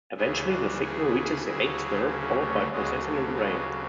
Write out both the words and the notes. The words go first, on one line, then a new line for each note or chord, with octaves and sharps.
Eventually the signal reaches the eighth nerve, followed by processing in the brain.
D2 C#3 E3 E4 G#4
D4 F#4
E4 G#4
D2 C#3 F#3 E4 G#4
C#4 E4
A3 C#4
D2 C#3 F#3 G#3 B3
A3
G#3 B3